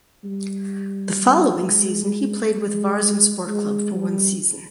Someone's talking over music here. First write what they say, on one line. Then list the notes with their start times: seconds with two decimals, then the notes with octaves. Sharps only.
The following season he played with Varzim Sport Club for one season.
0.24 G3
1.63 G#3
2.55 G#3
3.48 G#3
3.94 G3